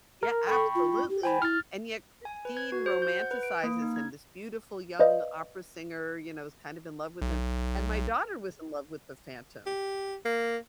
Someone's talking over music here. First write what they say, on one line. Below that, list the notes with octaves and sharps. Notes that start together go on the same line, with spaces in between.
Yeah, absolutely! And yet Christine romanticizes him, this beautiful young opera singer, you know, is kind of in love with him. And my daughter was in love with the Phantom,
A#4
A4 G5 B5 C#6
F4
G4
C5 G5 G#5 B5
E4 F6 A6
G#5
B4
G#6
F#4
C5
G6
F#5
B4
D7
A#3
D#4
G#6
B4 C5 D5 D#5 F5
B1
G4
A#3